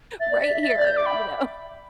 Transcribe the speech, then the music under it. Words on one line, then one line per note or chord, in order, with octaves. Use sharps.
right here." You know?
E5 A6
D5
D5 B6
E5
E5 A6
D5 A6
G6
E5 D6
G5 B5
E5